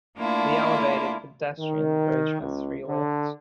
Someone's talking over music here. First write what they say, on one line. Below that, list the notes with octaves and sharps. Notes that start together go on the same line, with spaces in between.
The elevated pedestrian bridge has three lifts.
A3 A#3 D4 E4 F4
D#3
C#2
D3